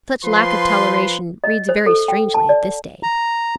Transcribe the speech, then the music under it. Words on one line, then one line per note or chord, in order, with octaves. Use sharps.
Such lack of toleration reads very strangely at this day.
F3 B4 C6
D#5
C5
A4
G5
A5
D5
A#5